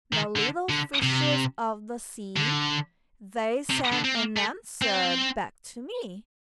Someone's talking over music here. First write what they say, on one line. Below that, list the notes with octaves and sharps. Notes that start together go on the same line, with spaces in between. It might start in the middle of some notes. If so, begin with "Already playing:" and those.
The little fishes of the sea, They sent an answer back to me.
D#3
D3
D3
C3
D3
C3
D3
C4
A#3
A3
C4